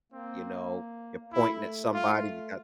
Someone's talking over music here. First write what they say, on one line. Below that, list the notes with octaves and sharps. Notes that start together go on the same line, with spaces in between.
you know, "You're pointing at somebody, you got"
A#3 C4
A#3
A3 E4
F4